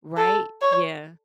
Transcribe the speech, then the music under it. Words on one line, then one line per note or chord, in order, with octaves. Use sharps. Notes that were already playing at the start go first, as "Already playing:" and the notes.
Right? Yeah.
A4
C#5